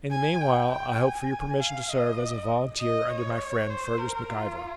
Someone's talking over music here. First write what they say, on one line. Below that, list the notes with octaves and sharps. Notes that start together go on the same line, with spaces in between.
In the meanwhile, I hope for your permission to serve as a volunteer under my friend Fergus Mac-Ivor.'
G#5
G5
G5
G#5
F5
D#5
D#5
C#5
C5
A#4
F4